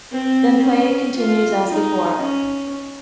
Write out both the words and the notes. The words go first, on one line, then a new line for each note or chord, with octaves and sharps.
Play then continues as before.
C4
C#4
F4
D#4
C#4